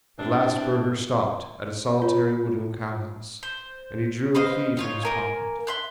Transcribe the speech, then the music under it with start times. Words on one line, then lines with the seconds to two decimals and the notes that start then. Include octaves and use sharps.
At last Burger stopped at a solitary wooden cow-house, and he drew a key from his pocket.
0.19 E3 G3 C4 D4
2.02 F4 C#5 A#5
3.43 C5
4.35 B4 C5 D#5 F5
4.77 D#4 F4 C#5
5.03 A#3 A#4 G#5
5.67 E5 C6 F#6